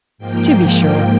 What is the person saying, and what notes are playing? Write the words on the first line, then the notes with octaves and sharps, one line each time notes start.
'To be sure!
G#2 F3 A#3 G5